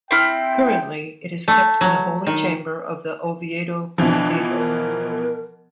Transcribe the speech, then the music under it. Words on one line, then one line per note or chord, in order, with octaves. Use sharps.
Currently, it is kept in the Holy Chamber of the Oviedo Cathedral.
C4 E4 G5 F6
A3
F#3
D#3
B2 E3 F3 D4
A#4